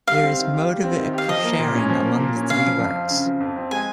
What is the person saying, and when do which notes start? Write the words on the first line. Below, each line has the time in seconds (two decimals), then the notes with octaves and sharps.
There is motivic sharing among the three works.
0.07 G3 F5
0.24 C4
0.39 D#3
0.54 G4
0.69 G3
0.84 C4
0.99 D#3
1.13 G4 F5
1.28 F3 D#5
1.44 A#3
1.59 A#2
1.75 C#4
1.89 F3
2.05 A#3
2.19 A#2
2.35 C#4
2.49 C#3 F5
2.66 F3
2.80 F2
2.96 C4
3.11 C#3
3.25 F3
3.40 F2
3.56 C4
3.71 G#3 G#5